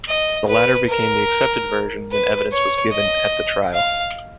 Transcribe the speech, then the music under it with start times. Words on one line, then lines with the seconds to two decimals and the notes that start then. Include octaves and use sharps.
The latter became the accepted version when evidence was given at the trial.
0.09 D#5
0.48 B4
0.89 A#4
2.11 B4
2.52 C#5
2.92 D#5
3.74 F5